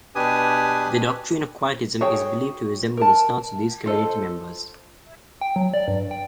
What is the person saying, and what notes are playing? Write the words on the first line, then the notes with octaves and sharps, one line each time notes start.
The doctrine of Quietism is believed to resemble the stance of these community members.
B2 D4 G4 B4 G#5 D#6
F#4 G#4 C#5 G5
A#4 A5
F4 A4 C5 D#5
G5
F#3
D5
G2
G5